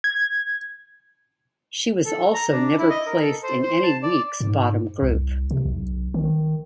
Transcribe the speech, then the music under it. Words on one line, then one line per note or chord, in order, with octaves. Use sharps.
She was also never placed in any week's bottom group.
G#6
A4
A#5
D4
E4
D#5
A#4
A4
C5
C5
A5
D5
G#2
C2
C3
B1
D#3